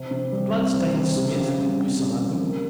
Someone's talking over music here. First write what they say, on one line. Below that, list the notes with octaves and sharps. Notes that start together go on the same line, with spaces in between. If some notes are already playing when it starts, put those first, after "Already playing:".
The bloodstained smith went beside them.
Already playing: C3
C3
G3
C4
C3
C3
G4
C#3
G3
C4
G4
C#3
A#3